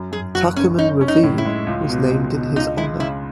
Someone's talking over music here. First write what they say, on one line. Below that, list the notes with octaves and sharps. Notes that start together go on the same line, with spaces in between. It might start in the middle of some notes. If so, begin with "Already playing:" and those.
Tuckerman Ravine was named in his honor.
Already playing: F#2
F#2 G#4
F#1 F#4
F#1 C#4
C#4 D#4
C#4
D#4
A2
E4
G#3
C#2
B2
C#2
B2
C#2 D#4
G#3 E4
C#3 E4